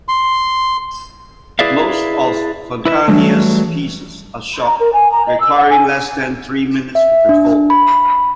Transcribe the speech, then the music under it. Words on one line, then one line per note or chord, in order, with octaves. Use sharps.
Most of Fontanelli's pieces are short, requiring less than three minutes to perform.
C6
E4 G#4 B4 D5 E5 F5
E4 B4 D#5 E5
E3 F#3 G3 A3
A#5
A#4
G#5
A#5
D#5
E6
F#5
G#5
E5
D4
B5